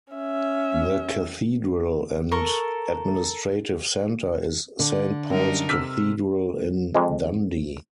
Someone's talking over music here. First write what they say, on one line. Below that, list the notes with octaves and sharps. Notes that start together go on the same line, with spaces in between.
The cathedral and administrative centre is Saint Paul's Cathedral in Dundee.
C#4 E5
A4 A#4 C#6
D3
F#2 G3 D#4 A#4
C3 E6 F6 B6
F2 F3 G#3